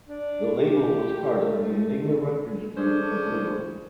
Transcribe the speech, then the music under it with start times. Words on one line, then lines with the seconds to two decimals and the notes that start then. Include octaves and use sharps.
The label was part of the Enigma Records group of labels.
0.07 D4
0.61 G4
1.45 A3
2.76 C#4 D4 G#4 A4 C5